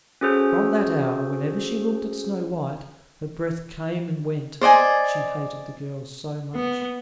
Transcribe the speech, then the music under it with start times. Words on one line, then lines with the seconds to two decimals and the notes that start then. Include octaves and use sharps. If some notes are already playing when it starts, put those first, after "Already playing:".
From that hour, whenever she looked at Snow-white, her breath came and went, she hated the girl so much.
0.21 C#4 F#4 G#4 A4 C5
4.61 C5 D5 D#5 G#5
6.55 B3